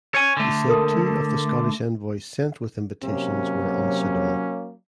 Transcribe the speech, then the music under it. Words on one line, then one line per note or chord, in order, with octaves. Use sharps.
He said two of the Scottish envoys sent with invitations were unsuitable.
C#5 G#5
D3 A3
A4 A#4 D#6
C3 F#3 A#3 C#4